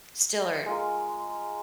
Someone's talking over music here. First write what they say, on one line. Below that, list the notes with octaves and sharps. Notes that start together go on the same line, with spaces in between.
still are
G#3 F4 A#4